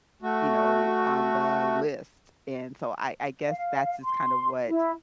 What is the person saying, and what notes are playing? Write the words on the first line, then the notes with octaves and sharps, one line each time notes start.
you know, on the list," and so, I I guess that's just kinda what
A3 F#4
F5
C6
E4